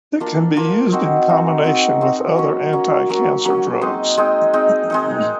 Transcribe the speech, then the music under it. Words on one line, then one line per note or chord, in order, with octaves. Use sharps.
It can be used in combination with other anticancer drugs.
A#3 D4 F4
A#3 D4 F4
C4 D#4 F#4
C4 D#4 F#4
C4 D#4 F#4
C4 D#4 F#4
F#3 A#3 C#4
F#3 A#3 C#4
F#3 A#3 C#4
F#3 A#3 C#4
G#3 C4 D#4
G#3 C4 D#4
G#3 C4 D#4
G#3 C4 D#4